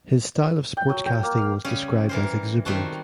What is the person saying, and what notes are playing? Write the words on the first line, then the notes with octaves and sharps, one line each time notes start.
His style of sportscasting was described as exuberant.
G5
F#3
G5
A#3
F5
C#3 G3 C#4
E3 A#4 C5
D#3 G3 C4 F#4 A5